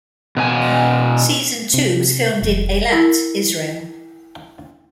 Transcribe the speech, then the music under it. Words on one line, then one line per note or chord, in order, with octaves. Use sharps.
Season two was filmed in Eilat, Israel.
B2 B4 G#5
C3
F1
E4 A#4